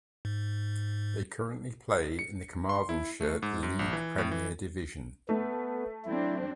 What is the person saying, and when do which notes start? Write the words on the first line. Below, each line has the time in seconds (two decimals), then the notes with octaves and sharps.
They currently play in the Carmarthenshire League Premier Division.
0.25 G#2
2.19 C#7
2.69 C6
2.89 E4
3.21 A3
3.42 G#2
3.63 F#2
3.79 A#1
3.93 E3
4.18 A2
4.31 E3
5.29 A3 B3
6.05 F#3 C4 D4 E4